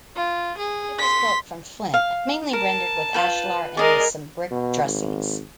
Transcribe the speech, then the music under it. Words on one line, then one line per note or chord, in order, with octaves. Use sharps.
It is built from flint, mainly rendered with ashlar and with some brick dressings.
F4
G#4
C6 B6
F5
A#4 A5
F4 B4 G5
G#3 A#4 D5 D#5
B2
G#1